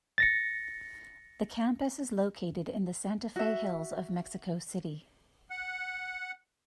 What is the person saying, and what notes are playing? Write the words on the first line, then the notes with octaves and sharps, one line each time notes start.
The campus is located in the Santa Fe hills of Mexico City.
A6 A#6 C#7
F#4 E5
F#5